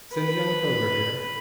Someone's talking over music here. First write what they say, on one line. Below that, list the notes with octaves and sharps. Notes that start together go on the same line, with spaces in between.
"Send young Foger here."
B4